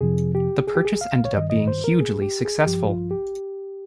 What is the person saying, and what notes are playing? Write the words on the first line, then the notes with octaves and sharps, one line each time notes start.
The purchase ended up being hugely successful.
F2 C3 F3 G#4
G4
G#4
G4
G#4
F5
C#5
G2 D#3 D#5
D#5
C5
A#4
G#4
G4
G#4
G2 F3 G4
F4
G4